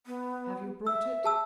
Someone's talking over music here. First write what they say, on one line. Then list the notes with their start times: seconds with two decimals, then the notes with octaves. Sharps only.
"Have you brought it?"
0.06 B3
0.87 E5 E6
1.24 G#4 A5 E6